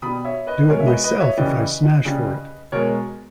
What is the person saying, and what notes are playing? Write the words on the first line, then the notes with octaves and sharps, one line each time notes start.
Do it myself if I smash for it!
B2 G3 B5 D#6
C#5 E5
B4 D#5
B2 G#3 A#4 C#5
E5
B4 D#5
B4 D#5
C#5 E5
C#3 E3 G3 B4 D#5
C#3 G3
B2 G#3 A#4 C#5